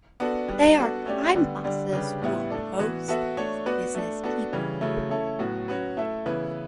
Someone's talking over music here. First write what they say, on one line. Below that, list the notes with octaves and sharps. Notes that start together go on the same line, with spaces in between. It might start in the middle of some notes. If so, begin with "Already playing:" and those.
They are crime bosses who posed as businesspeople.
B3 D4 F#4 A4
G3 B3 D4
B3 D4 F#4 A4 D5
A3 C#4 G4 D5
D3 G3 B3
D3 G3 D4
C#3 G3 D4 G4 B4
A2 G3 B3 E4 B4
A3 D4 A4 D5
E3 B3 F#4 B4
B3 F#4 A4 E5
A3 D4 A4 C#5
B3 F#4 B4 D5
A3 D4 A4
B3 D4 F#4 A4
C#3 E3 G3 C#4
C#3 F#3 A3 E4
A3 C#4 E4 A4
A2 F#3 B3 F#4
F#3 C#4 F#4 B4
A3 E4 A4 E5
C#3 E3 B3 E4 B4